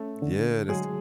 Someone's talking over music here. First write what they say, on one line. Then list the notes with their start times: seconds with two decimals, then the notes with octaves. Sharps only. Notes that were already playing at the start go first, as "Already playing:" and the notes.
Yeah, that's t
Already playing: A3 C#4 A4
0.22 D3
0.69 F#3 G#3 G#4